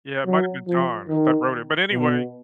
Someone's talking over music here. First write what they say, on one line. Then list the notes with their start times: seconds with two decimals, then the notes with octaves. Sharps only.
Yeah, it might have been John that wrote it but, anyway,
0.26 F#3
0.67 F3
1.09 D#3
1.91 B2